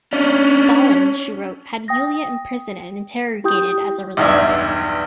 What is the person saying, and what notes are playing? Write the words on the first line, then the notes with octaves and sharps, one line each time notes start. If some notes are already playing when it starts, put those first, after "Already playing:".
Stalin, she wrote, had Yulia imprisoned and interrogated as a result.
C#4 D4
G5 D#6 A#6
E4 G4 G5 D#6 G6
B1 E2 G2 D5 E5